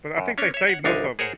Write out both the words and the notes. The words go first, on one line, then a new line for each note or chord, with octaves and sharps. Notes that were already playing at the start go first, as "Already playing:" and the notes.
But I think they saved most of 'em.
F#2
C#4 D4 C#5
C#5 E5
C#5 F#5
G1 C2 D4 D#4 F5 G#5
G#4 A#4 C5 C#5 F#5